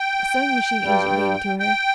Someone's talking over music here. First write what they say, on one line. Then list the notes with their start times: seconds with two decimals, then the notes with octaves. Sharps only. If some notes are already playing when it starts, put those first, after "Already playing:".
A sewing-machine agent gave it to her.
Already playing: G5
0.82 G2 G3
1.59 G5